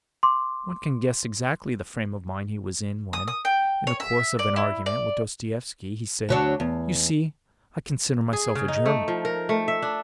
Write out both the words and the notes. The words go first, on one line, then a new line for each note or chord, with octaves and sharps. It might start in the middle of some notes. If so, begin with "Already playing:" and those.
One can guess exactly the frame of mind he was in when, in the course of an argument with Dostoevsky, he said: "You see, I consider myself a German."
C6 D6
D#6
D#6
G5
C#5
E5
D5
E4
D5
D2 F#3 D4
E2
G#4
C#3
D#4
A3
F3
A#4
A3
E5
D4